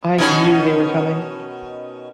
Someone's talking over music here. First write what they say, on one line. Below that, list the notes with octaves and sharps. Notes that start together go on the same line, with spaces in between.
I knew they were coming.
B2 D#3 C#4